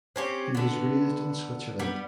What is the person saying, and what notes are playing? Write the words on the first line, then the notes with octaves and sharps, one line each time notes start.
He was raised in Switzerland.
C4 C#4 G4
D3 B3
G3 B3